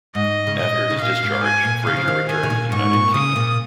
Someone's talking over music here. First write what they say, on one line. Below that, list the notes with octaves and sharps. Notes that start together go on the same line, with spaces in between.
After his discharge, Fraser returned to the United Kingdom.
G#2 D#5
C#3
A#2 D#5
C#3
A#2 F5
G#2
G#5
A#2
C#3 F5
F3
D#3
D#3 G#5
C#3
A#2
G#2 C#6
A#2
C#3 D#6
A#2